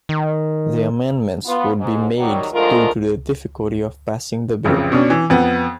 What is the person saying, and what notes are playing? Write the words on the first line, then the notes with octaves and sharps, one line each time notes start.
The amendments would be made due to the difficulty of passing the bill.
D#3
B3 F4
G#2
D#3 F#3 G3
D3 F3 G#3 A3 F4 A#4
A1 F2 C#3
B2 C#4 D4
E3
F2 B3